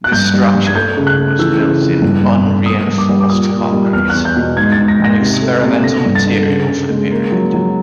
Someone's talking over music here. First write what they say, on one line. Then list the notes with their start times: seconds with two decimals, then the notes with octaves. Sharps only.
This structure was built in unreinforced concrete, an experimental material for the period.
0.04 F#6
0.12 G2 G6
0.34 G3
0.55 G2
0.67 G#6
0.75 A3 G6
0.97 C#3
1.07 F#6
1.18 A3
1.39 E3 E6
1.60 C#3
1.81 F2
2.02 G2
2.24 G2
2.45 D3
2.66 A#3 D#6
2.87 G2
2.98 D6
3.09 G3
3.21 D6
3.29 A#2 D#6
3.51 A#2
3.72 G3
3.93 E2 F6
4.10 F#6
4.15 E2
4.25 G6
4.36 B2
4.57 G#2 G#6
4.72 A6
4.78 G#2
4.88 A#6
5.00 G#2 A#6
5.20 C3
5.41 A3
5.62 C3
5.84 D3 A#6
6.05 G2
6.15 A6
6.26 D3
6.47 C#3
6.68 C#3
6.90 G#3
7.11 A#3
7.32 F#3
7.54 F#3